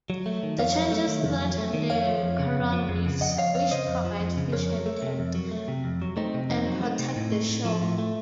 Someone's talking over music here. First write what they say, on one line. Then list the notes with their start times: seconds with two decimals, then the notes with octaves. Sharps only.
The changes threaten the coral reefs, which provide fish habitat and protect the shore.
0.10 F#3
0.26 A3
0.43 D#3
0.59 F2 C#5 F5
0.76 F#3
0.92 A3
1.08 D#3
1.25 F2
1.42 F#3
1.58 A3
1.74 D#3
1.90 F2 C#5 F5
2.07 F3
2.23 F2
2.39 C#3
2.56 F2
2.73 F3
2.89 F2
3.06 C#3
3.21 F2 D#5 F#5
3.38 F3 C#5 F5
3.54 F2 C#5 F5
3.71 C#3 C5 D#5
3.88 F2
4.05 F3
4.20 F2
4.37 C#3
4.52 F2 A#4 C#5
4.70 F#3
4.86 A3
5.03 C3
5.19 F2
5.35 F#3
5.51 A3
5.68 C3
5.84 F2
6.02 F#3
6.17 A3 C4 D#4
6.34 C3
6.50 F2 C4 D#4
6.66 F#3
6.83 A3
6.99 C3
7.16 A2
7.32 A3
7.49 A2
7.65 F3
7.81 A2
7.98 A3